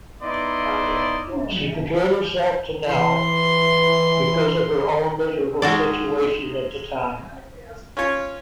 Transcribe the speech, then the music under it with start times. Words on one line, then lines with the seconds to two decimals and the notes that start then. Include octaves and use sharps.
She compared herself to Nell, because of her own miserable situation at the time.
0.23 B3 D#4 E4 D5 D#5 C6
2.88 E3 C6
5.62 G#2 D#3 G#3 F#4 A4 D5
7.97 C#4 F4 C#5